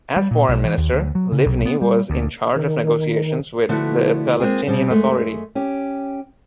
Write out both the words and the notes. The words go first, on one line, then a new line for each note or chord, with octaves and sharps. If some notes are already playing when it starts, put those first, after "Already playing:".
As Foreign Minister, Livni was in charge of negotiations with the Palestinian Authority.
G3
A#2
B1
E3
D#2
D2
F#3
C#3
B1
B3
G3
D2
D#3
D3 F3 A3 B3 E4 F#4
G#3 A#3 C4 F4 G#4
B2 G3 C4
F#2 G#3 A3
C#4 G4